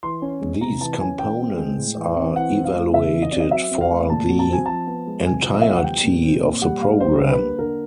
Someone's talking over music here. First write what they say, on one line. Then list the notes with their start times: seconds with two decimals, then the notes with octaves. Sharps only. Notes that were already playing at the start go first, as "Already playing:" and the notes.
These components are evaluated for the entirety of the program.
0.03 E3 C6
0.22 C#4
0.42 G#3
0.61 C3 A#5
0.81 E3 A5
0.99 C#4 G#5
1.19 E3 G5
1.39 C4
1.57 G#3
1.77 A2
1.96 E3
2.16 C4
2.36 E3 F#5
2.55 C4
2.64 F5
2.74 A3
2.94 C#3 E5
3.14 E3
3.22 D#5
3.32 C4 D5
3.40 D#5
3.51 F#3 E5
3.71 C4
3.81 F5
3.91 A3
4.10 A#2 A5
4.30 F#3
4.39 A5
4.48 C4 G#5
4.66 F3 A5
4.87 B3
5.07 G#3
5.26 C3 G#5
5.46 F3
5.54 D#5
5.62 B3 E5
5.69 F5
5.76 F#5
5.84 G3 G5
6.04 A#2
6.23 C4
6.42 A#2
6.62 G3 F#5
6.81 A#2 F5
7.00 G3 C5
7.19 D3
7.29 B4
7.39 A#3
7.59 D3 A#4